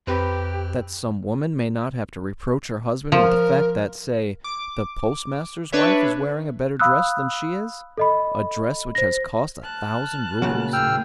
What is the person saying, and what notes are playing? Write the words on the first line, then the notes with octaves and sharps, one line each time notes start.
That some woman may not have to reproach her husband with the fact that, say, the Postmaster's wife is wearing a better dress than she is--a dress which has cost a thousand roubles!
F2 C4 D#4 G4 B4
F3 A#4
D6
D4 B4 C#5 E5
F5 B5 D#6 E6 F#6
A4 D#5 B5
C5 A#6
A5 F6 F#6
A#2 C#3 F#3
D#2 A2 G#4 G5 E6 F6